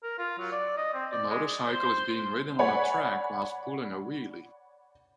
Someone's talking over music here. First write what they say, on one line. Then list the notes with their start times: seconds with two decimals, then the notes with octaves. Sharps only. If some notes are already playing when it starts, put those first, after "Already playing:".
The motorcycle is being ridden on a track whilst pulling a wheelie.
0.04 A#4
0.19 F4
0.39 F#3
0.52 D5
0.77 D#5
0.94 C4
1.11 D5
1.29 G#3
1.65 C5 C6
2.59 C#5 D5 F#5 G#5 B5